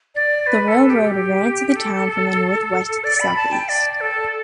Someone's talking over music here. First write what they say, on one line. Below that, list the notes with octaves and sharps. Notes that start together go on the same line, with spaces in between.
The railroad ran through the town from the northwest to the southeast.
D5
B4
A4
G4
G4
A4
D5
B5
A5
G5
D5
A4